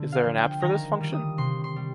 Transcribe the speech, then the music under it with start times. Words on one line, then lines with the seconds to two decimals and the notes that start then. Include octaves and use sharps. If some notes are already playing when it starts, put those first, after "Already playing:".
Is there an app for this function?
Already playing: D3
0.12 F5
0.24 F3
0.38 G5
0.62 D#3 A#5
1.01 G3
1.12 D#6
1.38 C3 C6
1.64 C6
1.76 G3